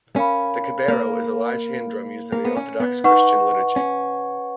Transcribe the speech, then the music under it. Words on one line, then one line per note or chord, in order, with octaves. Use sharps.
The "kebero" is a large hand drum used in the Orthodox Christian liturgy.
C#4 A#4 F5 B5
A#3
A#3
B3
C#4
B3
D#4 B4 F#5 C#6
C#4